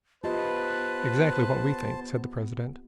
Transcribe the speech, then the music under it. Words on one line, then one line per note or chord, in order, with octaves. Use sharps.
"Exactly what we think," said the president.
B3 F4 G4 B4 C5 D#5 A5